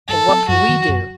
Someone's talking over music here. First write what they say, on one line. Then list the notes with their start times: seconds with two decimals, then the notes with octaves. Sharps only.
But what can we do?
0.08 G2 A4
0.28 F#3 C4
0.48 F#2 F#4
0.68 D#3 F#3
0.88 F#2